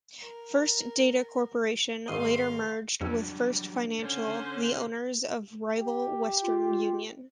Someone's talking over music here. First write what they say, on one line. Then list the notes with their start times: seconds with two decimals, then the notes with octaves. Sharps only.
First Data Corporation later merged with First Financial, the owners of rival Western Union.
0.22 A#4
2.08 G#1 D#5 F5 C6
3.01 F2 F#3 G3 D4 E6
4.00 C#4 A4 C5 D5
5.76 G4
6.43 F4